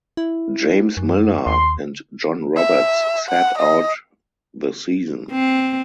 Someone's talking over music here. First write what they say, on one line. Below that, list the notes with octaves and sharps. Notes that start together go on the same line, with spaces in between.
James Miller and John Roberts sat out the season.
E4
F#2
D#2 C6
E5
F#5
D#5
C4